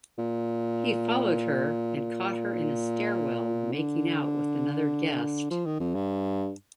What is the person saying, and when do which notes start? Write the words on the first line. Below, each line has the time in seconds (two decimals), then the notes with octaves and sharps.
He followed her and caught her in a stairwell making out with another guest.
0.18 A#2
1.96 A#2
3.73 D3
5.51 F3
5.66 D#3
5.80 F2
5.95 G2